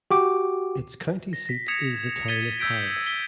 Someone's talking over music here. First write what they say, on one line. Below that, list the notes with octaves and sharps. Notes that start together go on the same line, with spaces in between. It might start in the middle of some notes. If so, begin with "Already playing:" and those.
Its county seat is the town of Paris.
F#4 G4 D6
A#6
A#6 B6
D#6 G#6 C#7 E7 F7
G#6 A6 B6 C#7 D#7 G7
E6 G6 G#6 B6 D7
B6 G7